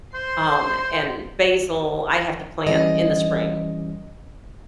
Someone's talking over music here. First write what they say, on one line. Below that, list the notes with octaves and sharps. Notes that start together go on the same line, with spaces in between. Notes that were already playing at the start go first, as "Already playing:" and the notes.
um, and basil, I have to plant in the spring,
C5 C6
E3 G3 C#4 D#5